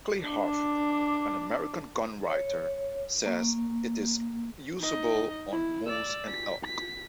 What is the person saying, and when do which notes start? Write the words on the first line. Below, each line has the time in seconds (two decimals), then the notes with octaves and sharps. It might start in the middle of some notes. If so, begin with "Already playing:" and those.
Clay Harvey, an American gun writer, says it is usable on moose and elk.
0.24 D4 D6
2.27 C#5
3.26 A#3
4.80 D#4 D#5
5.52 E4
5.86 D5 E6
6.27 B6
6.65 B6